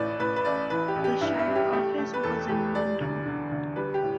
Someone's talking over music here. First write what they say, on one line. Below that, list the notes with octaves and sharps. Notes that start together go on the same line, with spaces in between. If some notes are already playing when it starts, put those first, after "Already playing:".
The shire office was in Nundle.
Already playing: A1 A2 B4 D5
A2 B4
B4
A1 D5
E3 B4
G4
A1
G4
G2 E4
E4
G3
G4
A3 G4
A3
B4
E2 A4
E2 G4
G3 D5
D2
D3
D2
G3 B4
G4
A2